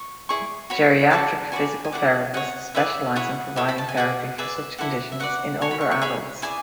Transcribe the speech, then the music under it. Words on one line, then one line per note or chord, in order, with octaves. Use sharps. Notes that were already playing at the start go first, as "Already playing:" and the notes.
Geriatric physical therapists specialize in providing therapy for such conditions in older adults.
Already playing: C#6
E4 G#4 D5 C#6
F#4 C#5 B5
F#4 A4 D5 A5
F#4 B4 D5 G#5
G#5
E4 G#4 D5 F#5
G#4 C#5 F#5
E4 G#4 B4 D5 E5
E4 G#4 C#5 F#5
E4 A4 C#5
B5
A5
G#5
G#4 D5 F#5
G#4 B4 D5 E5
E4 A4 D5 F#5
E5
F#4 B4 D5 F#5
F#4 C#5 G#5
B5
C#6
C#6
G#4 C#5 B5
E4 G#4 D5 G#5